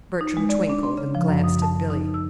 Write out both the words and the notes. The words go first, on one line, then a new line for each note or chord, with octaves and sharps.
Bertram twinkled and glanced at Billy.
D#4
G#3
D5
D4
C6
C#3
F3
F#2
D#6
A5
D#4
E6